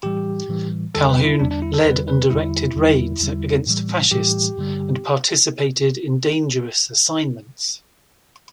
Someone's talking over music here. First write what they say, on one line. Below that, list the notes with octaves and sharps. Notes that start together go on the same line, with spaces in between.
Calhoun led and directed raids against fascists and participated in dangerous assignments.
A2 E3 G3 G4
A2 E3 G3
E2 D3 G3 A4
B4
E4
E2 D3 G3 D4
D4
E4
A4
E2 D3 G3 B4
B4
E2 D3 G3 E4
E2 D3 G3
E2 D3 G3
A2 E3 G3
A2 E3 G3 G4
G2 D3 G3